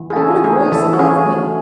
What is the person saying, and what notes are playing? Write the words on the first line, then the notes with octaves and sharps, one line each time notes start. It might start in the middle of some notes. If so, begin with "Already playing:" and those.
I heard a voice above me.
Already playing: E3
G#4
C#4 A4
A3 G#4
E3 A4
F#4
C#4 G#4
A3